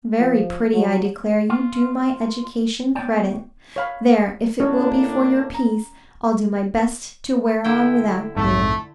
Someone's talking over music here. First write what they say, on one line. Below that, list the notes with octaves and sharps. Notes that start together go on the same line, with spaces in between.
Very pretty, I declare,--you do my education credit. There, if it will be for your peace, I'll do my best to wear on without you.
F3
F#3
F4
A3 B3 C#4 C#5 D5 G5
C#5 F5 B5
A2 A#3 C#4 D4 C#5 D#5
A#5
D3 E4 G5
A#1 F2 G#2 A3